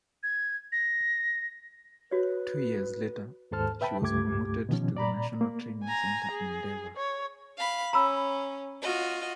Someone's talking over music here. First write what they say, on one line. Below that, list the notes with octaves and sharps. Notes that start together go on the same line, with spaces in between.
Two years later, she was promoted to the national training center in Deva.
G#6
A#6
F#4 B4 C#5
D#2 G#2 A4 C5 A5 F6
B4 E5 G5 A5 B5
C#2 G2 A3 G4 D6 G#6
B2 D#3 F3 C#4
A#2 D5 A#5 B5
A#3
G#5 A#5
G#4
C#5
F5 B5
C#4 A#5 B5 E6
F4 F#4 D#5